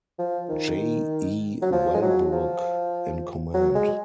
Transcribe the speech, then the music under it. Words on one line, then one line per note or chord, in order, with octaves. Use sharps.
J. E. Wellbrook in command.
F3
D#3
F#3
F3
G#3
F#3
F3
F#3
G#3